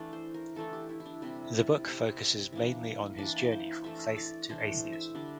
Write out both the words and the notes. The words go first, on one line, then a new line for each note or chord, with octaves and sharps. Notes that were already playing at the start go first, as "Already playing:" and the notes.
The book focuses mainly on his journey from faith to atheism.
Already playing: E3 A3 D4 D5
C5
A#4
E3 A3 D4 A4
G4
E4
E4
D4
C3 G3 C4 E4
D5
C3 G3 C4
E3 A#3 D4
E3 A#3 D4 D5
C5
E3 A3 D4 E5
D5
E3 A3 D4 C5
C5
E5
D3 G3 D4 D5